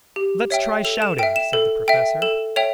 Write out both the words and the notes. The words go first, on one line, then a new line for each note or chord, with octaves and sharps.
"Lets try shouting," said the Professor.
G4
C#5 E5 G5
A4 F7
F7
E7
E5 G5 D7
E7
A4
E5 G5
A4 E7
C#5 E5 G5 F7